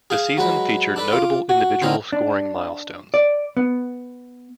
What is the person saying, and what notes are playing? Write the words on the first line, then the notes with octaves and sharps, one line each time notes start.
The season featured notable individual scoring milestones.
G#4 F5
F#3 G#3 B4
D4 A4 B4
F4 D6
F#4
D3 C4 C#4 D#4 A#4
D4
D5
B3